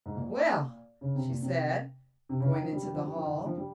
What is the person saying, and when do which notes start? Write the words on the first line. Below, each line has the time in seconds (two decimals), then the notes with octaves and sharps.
"Well?" she said, going into the hall.
0.06 G#2
0.15 A#2
1.01 C#3
1.15 C3
1.29 A#2
1.42 C3
2.29 C3
2.40 C#3
2.51 D#3
2.62 F3
2.73 G3
2.83 G3
2.94 F3
3.04 G3
3.15 F3
3.25 D#3
3.36 D#3
3.46 F3
3.58 G3